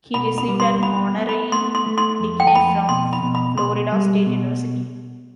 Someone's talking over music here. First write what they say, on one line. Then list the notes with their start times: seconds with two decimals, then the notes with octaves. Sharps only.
He received an honorary degree from Florida State University.
0.14 B2 B5
0.38 B5
0.48 G3
0.60 C6
0.83 B3 B5
1.18 B3
1.29 B5
1.52 A3 C6
1.75 C6
1.86 A3
1.98 C6
2.20 F2
2.40 G5
2.47 A5
2.55 F2 B5
2.89 B2 C6
3.13 B5
3.23 B2
3.35 B5
3.58 B2 C6
3.92 G3
4.26 B2